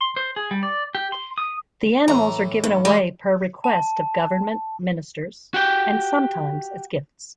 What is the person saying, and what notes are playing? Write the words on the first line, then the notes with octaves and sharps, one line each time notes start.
The animals are given away per request of government ministers and sometimes as gifts.
C6
C5
G#4
G3
D5
G4
C6
D#6
A2 E3 A#5
G2
E3 G3 G#3
A5
F#4 G4 G5